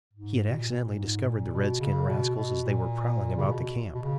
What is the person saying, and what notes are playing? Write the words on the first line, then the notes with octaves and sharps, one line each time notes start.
He had accidentally discovered the red skin rascals as they were prowling about the camp.
G#2
B2
A#2
G#2
A#2
B2
C#3
B2
B2
A#2
C#3
B2
B2
C#3